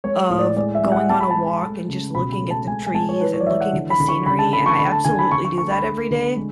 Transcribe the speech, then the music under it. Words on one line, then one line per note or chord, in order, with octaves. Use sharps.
of going on a walk and just looking at the trees and looking at the scenery, and I absolutely do that every day.
G#3 C#5
A2
D5
G#3 D5
E5
G#3
F#5
G#3 A5
B5
A5
G#3
A3
C#3
B2 B5
B5
A3
A5
G#3 G#5
G#5
G#3 A5
C#5
E3 B4
C#5
D5
E3 E5
F#5
D3
B5
D3
C#6
C#3 B5
A5
A3 B5
C#6
D3 B5
A5
D3 G#5
B5
D3 C#6
C#6
A3 C#6
B5
A3
D3
G#3